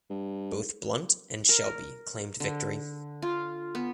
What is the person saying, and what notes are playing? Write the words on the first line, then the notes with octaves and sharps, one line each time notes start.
Both Blunt and Shelby claimed victory.
G2
A#4
D3
F4
B3